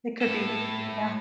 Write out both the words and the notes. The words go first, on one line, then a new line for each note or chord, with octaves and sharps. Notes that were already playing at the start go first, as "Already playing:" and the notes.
It could be, yeah.
A2 A4